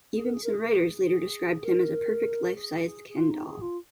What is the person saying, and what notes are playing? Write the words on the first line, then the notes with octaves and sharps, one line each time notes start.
Even some writers later described him as a perfect life-sized Ken doll.
G#4
A#4
G#4
A#4
G#4
A#4
G#4
G#4
A#4
G#4
G#4
G#4
F4
D#4
G#4
F4